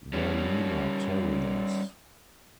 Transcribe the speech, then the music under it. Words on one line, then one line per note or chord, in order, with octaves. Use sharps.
The Lima Terriers.
G3 C#4